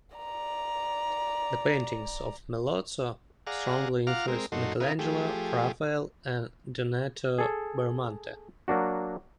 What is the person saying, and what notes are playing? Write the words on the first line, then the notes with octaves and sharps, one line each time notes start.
The paintings of Melozzo strongly influenced Michelangelo, Raphael and Donato Bramante.
D5 A#5
G#4 D5 F5 F#5 A#5
F4 F5 F#5 A#5 D6 F6
G#3 C4 A#4
F#2 A#2 D#4 F#4 A4 C6
C#3 E4 A#4 B4 F5 D#6
F3 A3 G4 G#4
G#4 A4
F#3 A#3 D4 F#4